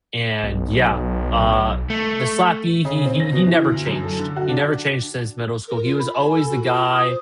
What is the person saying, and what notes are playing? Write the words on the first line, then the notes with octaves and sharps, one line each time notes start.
and yeah, uh, the slappee, he he he never changed, he never changed since middle school, he was always the guy,
B1
A3
C#3
C4
A#6
B2
E3
D2
F#2
A4
D3
F#4
D4
A#4
F4
B5
G#5
A4
F#4
F4
F4
D#6
C5